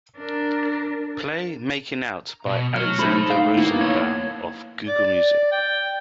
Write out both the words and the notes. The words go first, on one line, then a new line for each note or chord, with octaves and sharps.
Play Making Out by Alexander Rosenbaum off Google Music.
D4 A#4
B2
F#3 F6
A3 D#4 C5 B5
F5 G5
A#3 B3 E4
A#3 C#5 G#6
D5
G5